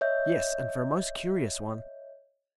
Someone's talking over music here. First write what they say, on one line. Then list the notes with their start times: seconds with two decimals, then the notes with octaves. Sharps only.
"Yes, and for a most curious one."
0.01 C#5 D#5 E5 G6